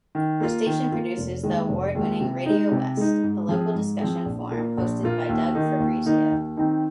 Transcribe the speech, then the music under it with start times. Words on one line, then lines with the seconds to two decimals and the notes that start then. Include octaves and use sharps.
The station produces the award-winning "RadioWest", a local discussion forum hosted by Doug Fabrizio.
0.15 D#3
0.40 A#3 F4
0.66 D#3
0.92 A#3 F4
1.17 F1
1.43 D#2 D#3 G#3
1.69 F1
1.95 D#2 D#3 G#3
2.21 C3
2.46 G#3 D#4
2.72 C3
2.97 G#3 D#4
3.24 G#2
3.49 F3 C4 G#4
3.75 G#2
4.00 F3 C4 G#4
4.26 A#1
4.51 A#2 A#3 F4
4.78 A#1
5.03 A#2 A#3 F4
5.29 D#2
5.55 D#3 A#3 D#4
5.80 D#2
6.06 D#3 A#3 D#4
6.32 D#2
6.57 D#3 C4 D#4